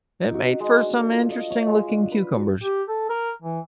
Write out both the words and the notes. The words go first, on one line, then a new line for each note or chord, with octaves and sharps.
it made for some interesting looking cucumbers.
D#4
F#4
G#3
D4
A4
F4
D#5
C#5
G#3
D4
B4
F#4
G4
A4
A#4
E3